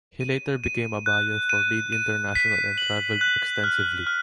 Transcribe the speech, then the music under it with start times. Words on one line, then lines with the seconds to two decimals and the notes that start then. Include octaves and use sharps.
He later became a buyer for Reed International and travelled extensively.
0.21 D#7
0.64 D#7
1.06 F#6
1.49 D#7
1.92 D#7
2.35 B6
2.78 F#7
3.21 F#6
3.64 F6
4.07 F6